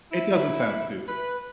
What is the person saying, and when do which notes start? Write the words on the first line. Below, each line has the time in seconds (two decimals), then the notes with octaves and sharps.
It doesn't sound stupid.
0.11 E4
1.08 B4